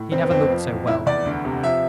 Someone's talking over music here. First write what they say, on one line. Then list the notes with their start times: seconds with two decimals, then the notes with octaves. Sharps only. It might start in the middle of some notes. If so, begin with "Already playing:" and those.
He never looked so well.
Already playing: A2
0.11 F1 C4
0.20 B3
0.31 F2 C4
0.50 F3
0.68 E2
0.87 F1 E4
1.06 E2 D5
1.26 D2
1.45 C3
1.63 F3 E5